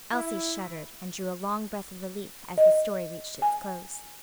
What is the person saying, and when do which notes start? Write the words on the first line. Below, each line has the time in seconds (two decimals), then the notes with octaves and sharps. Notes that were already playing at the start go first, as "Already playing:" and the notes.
Elsie shuddered, and drew a long breath of relief, as the story reached its close.
0.13 E4
2.58 D#5
3.42 G#5